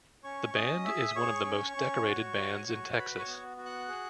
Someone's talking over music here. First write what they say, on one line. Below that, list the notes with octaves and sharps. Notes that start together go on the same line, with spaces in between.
The band is one of the most decorated bands in Texas.
C#4 C#5 C#6
C#4 D#5 D#6
G#4 E5 E6
D#6
G#4 C#5 C#6
C#4
C#4
F#4
F#4
F#4
C#6
F#4 B4 B5
C#5 C#6
B3
F#4
F#5 F#6
G#4